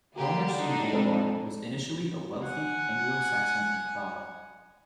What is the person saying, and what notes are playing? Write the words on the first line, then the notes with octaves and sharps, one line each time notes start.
Palmerston Boulevard was initially a wealthy Anglo-Saxon enclave.
D3 A#3 F#4 G4 A#5
D4 D#4
A#2 G#3 C4 A4
F#5 G#5